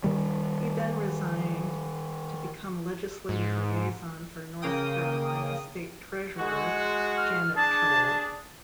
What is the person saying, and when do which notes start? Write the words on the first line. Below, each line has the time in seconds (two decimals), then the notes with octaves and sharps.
He then resigned to become legislative liaison for North Carolina State Treasurer Janet Cowell.
0.04 D#3 G3
3.29 G#2
4.62 C#3 A#3 G5 D#6
6.38 G#3 F#4
7.17 F6
7.56 D4 G#4 A5